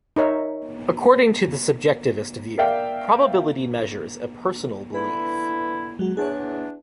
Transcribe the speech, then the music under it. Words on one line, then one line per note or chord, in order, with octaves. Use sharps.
According to the subjectivist view, probability measures a "personal belief".
D#4 A#4 C#5 E5
A#4 D5 E5 F5 G5
D3 E3 E4 B4
F#3 G#3 F#4
E2 D4 G#4 C#5